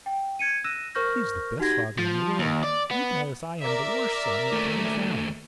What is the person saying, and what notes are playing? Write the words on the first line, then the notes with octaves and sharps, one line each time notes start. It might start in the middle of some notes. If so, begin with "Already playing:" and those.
"He is the best father in the world, even as I am the worst son that can be found."
G5
G#6 C#7 D#7
E6 F#6 A#6 D#7 E7
A#4 C5 C#6 F6 G6 A#6
D#4 F#4 G4 F#5 G#6 A#6
F3
D#2
D5
B3
A#4 D5 E5
D#2 A3